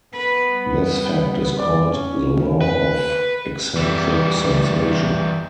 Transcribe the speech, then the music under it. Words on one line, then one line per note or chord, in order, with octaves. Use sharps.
This fact is called the law of eccentric sensation.
B3 B4
G3
D5
C#4
B4
E3 G3